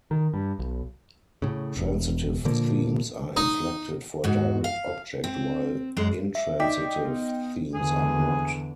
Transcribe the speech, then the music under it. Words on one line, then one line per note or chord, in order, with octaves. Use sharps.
Transitive themes are inflected for direct object, while intransitive themes are not.
D#3
G2
B1
A2 C#3
E1
A#2 D3 F3 A#3
D#4
G#2 F#4
F5
C4
F#2 G#3 C5
E5
D#4 D5 G5 D6 B6
B3
E2 D3 G#4